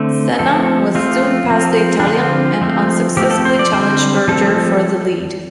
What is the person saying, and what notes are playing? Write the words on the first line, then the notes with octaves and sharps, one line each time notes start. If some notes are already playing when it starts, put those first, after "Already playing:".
Senna was soon past the Italian and unsuccessfully challenged Berger for the lead.
Already playing: D3 A3 C4
F3 A3 C4 A4
F3 A3 C4 F4
F3 C4
D4
D3 F3 C4 F4
F3 A3 C4
F3 A3 C4 G4
A4
C5
D5
D3 G3 C4 C5
F3 A3 C4 A4